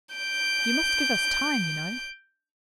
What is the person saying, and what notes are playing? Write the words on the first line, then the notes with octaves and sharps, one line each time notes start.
You must give us time, you know.
G6 D7